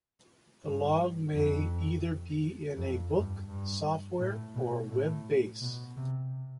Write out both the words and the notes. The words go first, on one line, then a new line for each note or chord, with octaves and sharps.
The log may either be in a book, software, or web based.
G2
F2
F2
G2
G2
A2
B2
A2
B2
C3